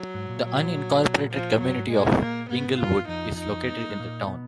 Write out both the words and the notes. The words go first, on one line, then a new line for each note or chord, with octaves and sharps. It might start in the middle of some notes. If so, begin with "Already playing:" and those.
The unincorporated community of Englewood is located in the town.
Already playing: F#3
G#2
A#2
F#3
B2
A#2
F3
F#2 F#3
G#2
A#2 G#3
A#3
G#2 B3
F4
F2 F3 D#4
D#4
B3
A#3
G#3
A#2 A#3
B2 B3